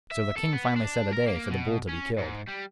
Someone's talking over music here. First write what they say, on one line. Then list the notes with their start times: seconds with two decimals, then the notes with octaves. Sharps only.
So the king finally set a day for the bull to be killed.
0.11 E5
0.37 A4
0.53 B3
0.76 D4
1.13 A#4
1.28 A#3
1.51 B2
1.89 C#4
2.18 G#2
2.47 G3